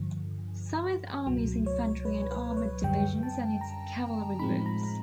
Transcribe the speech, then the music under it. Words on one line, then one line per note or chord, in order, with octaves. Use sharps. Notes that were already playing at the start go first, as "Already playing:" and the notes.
Seventh Army's Infantry and Armored divisions and its cavalry groups.
Already playing: G2 D3 F3
C#2 B2 F#3
C#5
B4
B4
C#5
F#2 D3 G3 G5
A5
A#5
A2 F3 G#3 C4 D#4 B5
A#5